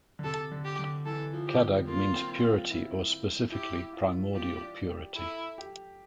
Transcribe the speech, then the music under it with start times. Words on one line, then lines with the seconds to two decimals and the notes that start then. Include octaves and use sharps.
"Kadag" means "purity" or specifically "primordial purity".
0.19 D3
0.24 C3 A4
0.51 D3
0.65 G4
0.79 D3
1.06 E3 A4
1.33 F3
1.47 G4
1.61 G3
1.88 A#3 F4
2.16 C4
2.43 F4
2.71 E4
3.52 E4 G4
3.93 F4
4.34 F4 G4
4.62 D4
4.89 G4
5.17 E4 A4
5.58 G4